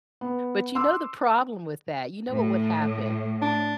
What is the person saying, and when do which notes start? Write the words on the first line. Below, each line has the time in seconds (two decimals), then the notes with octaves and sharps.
but you know the problem with that, you know what would happen,
0.21 B3
0.75 C6 D6 E6
2.30 A2
3.41 D4